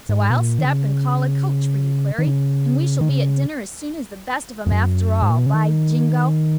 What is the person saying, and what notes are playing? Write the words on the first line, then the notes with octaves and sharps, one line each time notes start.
So I'll step and call a coach for you, Clary, and we shall be at dinner as soon as the best of 'em after all, by jingo!
G#2
B2
A#2
D#3
C#3
D#3
C#3
D#3
C#3
F2
F#2
G#2
A#2
B2
C#3
D#3